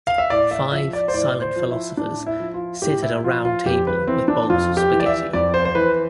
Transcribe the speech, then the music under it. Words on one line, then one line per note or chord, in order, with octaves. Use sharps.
Five silent philosophers sit at a round table with bowls of spaghetti.
F5
E5
A2 D5
E5
F3 E5
D5
C5
A2 D5
C5
F3
E4
A2 D4
E4
F3
F4
A2 G4
E4
F3 F4
F4
F2 G4
B4
E3 C4
D4
F2 F4
G4
E3
D5
E5
F2 D5
C5
C5
E3 B4